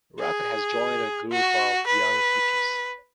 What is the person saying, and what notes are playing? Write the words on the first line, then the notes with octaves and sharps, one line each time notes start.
Rocket has joined a group of young hippies.
G#4
F#4
B4